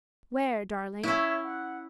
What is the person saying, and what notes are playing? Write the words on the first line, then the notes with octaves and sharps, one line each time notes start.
"Where, darling?"
C#4 E4 C#5 E5
F#5